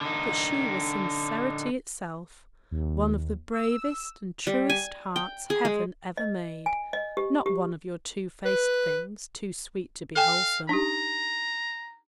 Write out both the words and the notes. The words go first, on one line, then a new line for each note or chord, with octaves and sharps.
But she was sincerity itself, one of the bravest and truest hearts heaven ever made, not one of your twofaced things, too sweet to be wholesome.
D3 D#4
D#2
E6
G3
G#5
G5
G#4
G#3
D#5
G#5
D#5
G4
G4
B4
A4 F5 G5 G#5
D4 D#4 G4 A#5